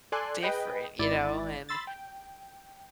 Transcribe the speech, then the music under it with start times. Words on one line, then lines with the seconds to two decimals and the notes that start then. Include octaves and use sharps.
different." You know? And
0.12 A4 D5 G#5 C6 F#6
0.43 G#4 B4 D#5 G5
0.99 G#1 E4 D5 B5 A6
1.69 B5 C6 E6 A6
1.87 G5